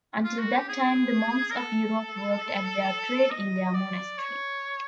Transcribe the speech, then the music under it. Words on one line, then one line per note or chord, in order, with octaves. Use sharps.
Until that time the monks of Europe worked at their trade in their monastery.
F4
F#4
G4
G#4
A#4
A4
D#5
D5
C#5